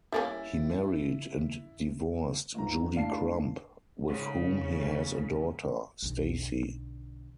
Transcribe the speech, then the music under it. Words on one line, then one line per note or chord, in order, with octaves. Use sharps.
He married and divorced Judy Crump, with whom he has a daughter Stacy.
G3 A#3 C#4 E4 A6
G1 G#2 A#5
A2 D4 F5 A5 C7
G#2 C#3
B1 D3